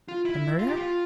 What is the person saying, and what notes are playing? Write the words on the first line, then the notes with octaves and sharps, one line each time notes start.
"The murder?"
F4
E4
F4
G4
F4